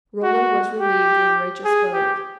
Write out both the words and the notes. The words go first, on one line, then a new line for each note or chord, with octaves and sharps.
Rollin was relieved when Rachel spoke.
F#4
G4
G#4
G4